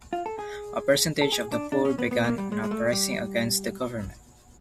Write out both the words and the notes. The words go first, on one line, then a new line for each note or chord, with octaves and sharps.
A percentage of the poor began an uprising against the government.
F4
A4
G#4
A4
G#4
D4
D4
C#4
B3
B3
A#3
G3
G#3
G#3
A3
G3